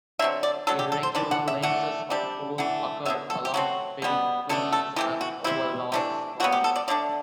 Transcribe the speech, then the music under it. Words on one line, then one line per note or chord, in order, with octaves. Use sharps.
Irregular lenses of coal occur along bedding planes and over large scours.
D3 F#3 C4 E5
D5
F#3 A3 D4 A4
G4
A4
C5
E3 G3 D4 D5
F#5
E5
E3 A3 D4 F#5
C3 G3 D4
E3 A3 D4 F#5
D3 F#3 B3 E5
A4
G4
F#3 A3 C4 F#4
B2 G3 B3
B2 A3 D4 A4
A4
E3 A3 C4 G4
F#4
C3 G3 C4 E4
C3 E3 A3 D4
C3 F#3 B3 F#4
G4
A4
D5
D3 A3 D4 D5